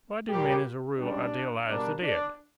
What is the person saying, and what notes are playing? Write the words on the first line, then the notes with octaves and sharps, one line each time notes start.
Why do men as a rule idealize the dead?
A#2 G3 A#3 G4
C#2 C#3 G3 D4
B2 G3 A#3 D4
D4